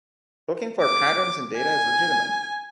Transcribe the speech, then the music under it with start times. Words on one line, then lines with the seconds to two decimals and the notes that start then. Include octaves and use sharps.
Looking for patterns in data is legitimate.
0.81 D6
1.57 G#5